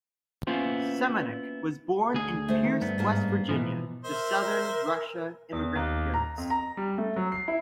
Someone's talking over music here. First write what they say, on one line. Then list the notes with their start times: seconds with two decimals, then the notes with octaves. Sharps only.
Seminick was born in Pierce, West Virginia to southern Russia immigrant parents.
0.47 A#3 B3 C#4 E4 F4 C5
2.14 D2 G#4
2.48 A3 C5
2.64 D#3
2.81 G2 B3
2.98 G#2 A#3 A5
3.49 B2 E3 F3
4.05 A#4 C5 E5
5.52 E2
5.76 D#2
6.14 A#5
6.38 F2
6.50 A#5
6.77 G3
6.98 A3
7.16 F#3
7.32 C7
7.48 E4